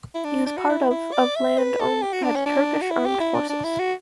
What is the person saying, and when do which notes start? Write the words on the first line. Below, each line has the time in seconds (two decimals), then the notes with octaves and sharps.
It is part of of land owned by the Turkish Armed Forces.
0.15 E4
0.24 D4
0.46 D4
0.57 F#4
0.69 E4
0.91 E4
1.13 D5
1.36 E5
1.58 B4
1.80 A4
2.02 G4
2.13 F#4
2.23 D4
2.36 C#4
2.46 D4
2.81 F#4
2.90 E4
3.05 G4
3.20 E4
3.35 D4
3.49 D4
3.64 E4
3.79 F#4